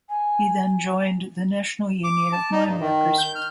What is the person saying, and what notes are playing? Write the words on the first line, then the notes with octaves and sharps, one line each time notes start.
He then joined the National Union of Mineworkers.
G#5
D6
A5
D#4
G2
D#3
G6
F6